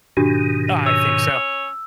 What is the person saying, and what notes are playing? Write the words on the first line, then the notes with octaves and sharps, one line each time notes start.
I I think so.
G#2 B2 D#3 D4 F#4 G4
C#4 C#5 E6